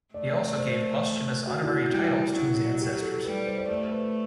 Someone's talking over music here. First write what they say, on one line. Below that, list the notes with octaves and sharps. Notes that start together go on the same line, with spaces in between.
He also gave posthumous honorary titles to his ancestors.
A3 D5
C5
F#4
E4
F#4
G3 E4
F#3 E4
G4
A4
G3 B4
C5
D5
A3 C5
B4